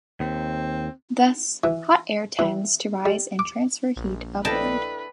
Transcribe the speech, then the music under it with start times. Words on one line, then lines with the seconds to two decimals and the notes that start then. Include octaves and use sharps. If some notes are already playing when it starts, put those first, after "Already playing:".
Thus, hot air tends to rise and transfer heat upward.
0.20 D#2 C4
1.64 E3
2.39 E3
3.06 G3
3.39 D6
3.96 A#1
4.45 D4 E4 A4 B4 D#5 G5 A5